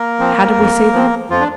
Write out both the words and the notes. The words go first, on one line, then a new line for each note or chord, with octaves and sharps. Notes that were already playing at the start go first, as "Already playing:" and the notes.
How did we see them?
Already playing: A#3 A#4
F3 C4
F2
F3 C4
F2 F3 F4
D4